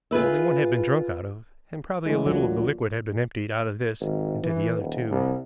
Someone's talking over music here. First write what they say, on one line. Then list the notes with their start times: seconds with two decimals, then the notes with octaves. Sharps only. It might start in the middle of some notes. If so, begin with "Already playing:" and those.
Only one had been drunk out of, and probably a little of the liquid had been emptied out of this into the other two.
0.11 F4 G#4 B4 E5
2.06 A2 E3 G#3
2.26 D2 A#2 F#3
4.00 G#1
4.43 E3
4.78 D#1
5.11 C2